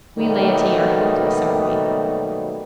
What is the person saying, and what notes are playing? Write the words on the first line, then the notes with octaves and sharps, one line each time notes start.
'We laity are hopeless, aren't we?
B2 D#3 F#3 G3 A3 A#3